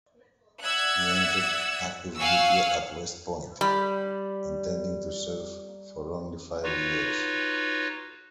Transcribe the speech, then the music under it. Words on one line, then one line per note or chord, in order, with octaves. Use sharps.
He entered active duty at West Point, intending to serve for only five years.
D5 E5 F#5 E6 F#6 G#6
F5 F#5 G#5 C#6 E6
G3 B5
D#4 F4 F#4 B4 C#5